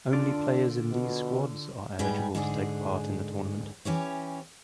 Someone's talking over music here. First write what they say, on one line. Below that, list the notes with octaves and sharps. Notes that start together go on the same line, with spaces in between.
Only players in these squads are eligible to take part in the tournament.
D3 D4 F4 D5
B2
G#2 G3 G#4 B4 G5 A#5
G#2 D3 D4 G#4
E3 C#4 G4 C#5